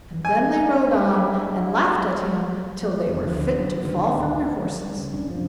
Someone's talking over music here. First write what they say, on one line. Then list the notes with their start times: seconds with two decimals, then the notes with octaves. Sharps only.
And then they rode on, and laughed at him till they were fit to fall from their horses.
0.25 G#3 D4 E4 G#5
3.07 F1
3.28 D2 D3 F3
3.56 F#2 D3 F#3
3.84 A2 D3 D#3
4.10 D2
4.82 G3
4.97 C#3
5.14 A1 G#2 C#4 D4
5.29 F#2 C3 F3